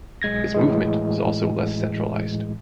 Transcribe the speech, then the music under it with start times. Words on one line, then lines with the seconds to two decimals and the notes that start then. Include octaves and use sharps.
His movement was also less centralized.
0.22 B1 G#3 G#6 A#6
0.55 A2 E3 G#3